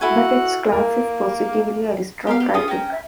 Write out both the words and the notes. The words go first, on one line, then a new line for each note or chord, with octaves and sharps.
But its class is positively aristocratic.
E4 F#4 A4 G#5
A#3 A#4
B3 G4 A#4 F5
G4 B4
C#4 F4 G#4 D#6
C#4 G5 A#5
E5